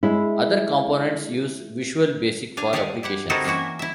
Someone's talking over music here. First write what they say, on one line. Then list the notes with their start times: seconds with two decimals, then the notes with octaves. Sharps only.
Other components use Visual Basic for Applications.
0.03 G#3 E4
2.57 D4 F5 G#5
2.73 G4 G#4 D5 F5 F#5 G#5
3.03 E4 G4 F#5
3.30 C4 D#4 E4 F#4 A4 A#4
3.44 E3 A#3 C#4 E4 F#4
3.79 E4 E5